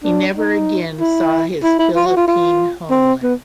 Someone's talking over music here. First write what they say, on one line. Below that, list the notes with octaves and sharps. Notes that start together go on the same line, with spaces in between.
He never again saw his Philippine homeland.
D4
D#4
E4
E4
E4
F4
F#4
F4
F4
C4
B3